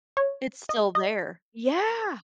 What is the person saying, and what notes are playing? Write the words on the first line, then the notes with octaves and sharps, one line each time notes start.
It's still there, yeah.
C#5
D#5
D#5